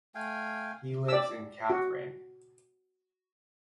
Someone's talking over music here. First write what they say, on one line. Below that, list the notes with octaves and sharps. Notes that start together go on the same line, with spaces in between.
He lives in Kathryn.
A3 F5 G5 G#5
D5 E6
F#4